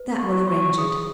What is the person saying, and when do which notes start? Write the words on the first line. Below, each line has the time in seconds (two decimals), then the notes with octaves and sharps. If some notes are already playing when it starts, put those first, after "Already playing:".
"That will arrange it."
Already playing: B4
0.19 C#6
0.33 E4
0.48 C#6
0.78 G#4 D#6